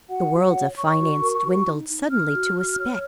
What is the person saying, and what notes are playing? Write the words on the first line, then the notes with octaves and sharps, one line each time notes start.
The world of finance dwindled suddenly to a speck.
F#4 F#5
F#4
F5
F#5
C#5
C#5 C#6
F#4
A#4
F#4
D#4
D#4
D#4 F6
F#4
F#4
C#5